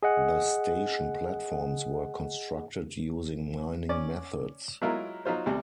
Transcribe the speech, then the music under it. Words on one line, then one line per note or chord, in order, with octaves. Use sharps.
The station platforms were constructed using mining methods.
G#4 D#5 F#5
C#4 D5
F#3 G#3 E4 F4 A#4
F#3 D#4 F4 C5
D2 C3 G3